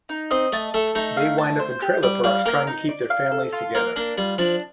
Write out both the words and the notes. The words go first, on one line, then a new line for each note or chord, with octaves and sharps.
They wind up in trailer parks trying to keep their families together.
D#4
C4 D#5
A3 A5
A3 A4
A3 D#4
F5
A5
C5
G4
G3 D5
G3 F5
A#3 A#4
D#4
D5
F5
A4
F4
A#3 A#4
A#3 D4
G3 F4
F3 D4